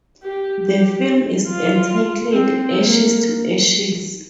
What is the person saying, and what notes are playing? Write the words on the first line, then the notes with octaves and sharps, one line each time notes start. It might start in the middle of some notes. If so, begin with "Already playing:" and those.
The film is entitled Ashes to Ashes.
G4
G4
F4
C4
A#3